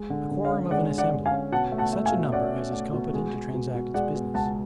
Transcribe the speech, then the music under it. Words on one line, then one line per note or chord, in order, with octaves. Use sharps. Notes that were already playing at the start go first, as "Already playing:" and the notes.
A Quorum of an assembly is such a number as is competent to transact its business.
Already playing: G#3
D3
D3
C#5 F5
C#4
G#3 D5 F#5
D3
D5 F#5
D3
F5 G#5
C#4
B2 F#5 A5
A3
F#5 A5
A3
F5 G#5
B2
C#4 D5 F#5
C#4
A3
B2
G#3
G#3
B2
B2
G#3 D5 F#5
B2
C#2 F#5 A5